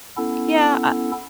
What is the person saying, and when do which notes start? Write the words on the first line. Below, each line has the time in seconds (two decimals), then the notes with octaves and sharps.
Yeah I
0.17 B3 C#4 E4 A4